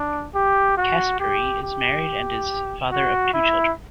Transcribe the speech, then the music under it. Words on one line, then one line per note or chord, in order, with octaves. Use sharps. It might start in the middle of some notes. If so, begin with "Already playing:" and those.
Caspary is married and is father of two children.
Already playing: D4
G4
F#4
G4
G4
F#4
E4